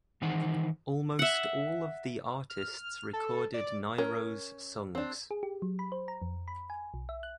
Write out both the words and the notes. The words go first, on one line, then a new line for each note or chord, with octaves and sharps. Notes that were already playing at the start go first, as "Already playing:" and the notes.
Almost all of the artists recorded Nyro's songs.
D#3 E3 D#4 C5 F#5
E5 F#5
F6
A4
D5
C#4 A#4
C4 D4
G#4
G4
F#3
B5
C5
A#5
F2
B5
G#5
B1
E5
F#6